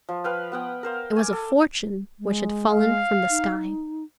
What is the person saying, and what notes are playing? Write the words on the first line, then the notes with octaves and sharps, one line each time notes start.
It was a fortune which had fallen from the sky.
F3
B4 F5 G5
B3 F#5 G5
A#4 C5 F5
G#5 D6
A4
G#3
F5
D#4